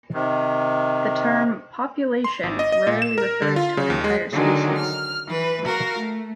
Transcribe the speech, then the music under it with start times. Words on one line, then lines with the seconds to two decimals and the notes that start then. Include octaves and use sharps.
The term "population" rarely refers to an entire species.
0.14 C3 D#3
2.24 C6
2.43 G#1
2.59 D#5
2.72 D#5
2.87 A#2
3.02 E7
3.18 A#4
3.42 D3
3.56 F4
3.77 C#3
3.90 D#2
4.04 G#3
4.32 D3 D#3 F#3 G#3 D4
4.78 F6
5.27 E3 B4
5.64 F#4 A#4 F5
5.98 A3